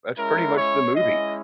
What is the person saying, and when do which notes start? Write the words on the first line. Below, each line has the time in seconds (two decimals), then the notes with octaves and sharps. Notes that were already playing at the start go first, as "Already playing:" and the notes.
that's pretty much the movie.
0.18 G#3 C#4 E4 A#4
0.57 C#5
0.95 G#3 C#4 E4 D#5